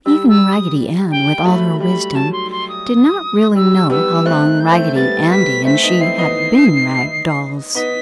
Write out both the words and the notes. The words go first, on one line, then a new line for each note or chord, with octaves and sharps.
Even Raggedy Ann, with all her wisdom, did not really know how long Raggedy Andy and she had been rag dolls.
G3 E6
E6
D#6
G5
F#3 A3 B5
G3 B5
F#3 A5
C6
C6
D#6
G3 E6
G3 B3 E6
A3 C4 F#6
G6
A3 C4
G3 B3 A6
G3 B3 B6
A3 C4 B6
B3 D#4
C4 E4 C7
B3 D#4
B3 D#4 B6